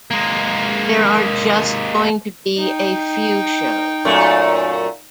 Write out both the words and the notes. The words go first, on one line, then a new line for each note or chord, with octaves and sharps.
There are just going to be a few shows.
G#3 A#3
D#4 G5
F#2 A#2 A3